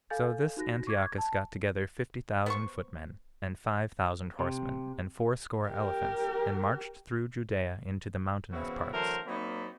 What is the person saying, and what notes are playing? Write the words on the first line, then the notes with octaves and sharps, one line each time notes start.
So this Antiochus got together fifty thousand footmen, and five thousand horsemen, and fourscore elephants, and marched through Judea into the mountainous parts.
A4 F5 G#5 G6 A6
D#4 F#4 F#6 A#6
C#6 D6 G#6
A5
B3 C5 C#6
C3
G4 A#4
C#3 E3 B3 C4 E4 F#4
D3 E3 F#3 A3 A#4 C5
F#3 A#3 C4 D#4 D5 B5